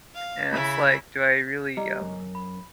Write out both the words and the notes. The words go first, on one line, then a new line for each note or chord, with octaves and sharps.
And, it's like, do I really, um,
F5
C#3 E4 B5
G3 D#5 A#5
F#2
B5